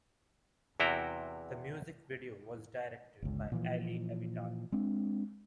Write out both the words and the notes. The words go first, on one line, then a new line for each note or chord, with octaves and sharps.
The music video was directed by Allie Avital.
E2 C3 E4 F#4 G5 A#5
G1 C#2
A#2 E3 F3
G#3 C4 D4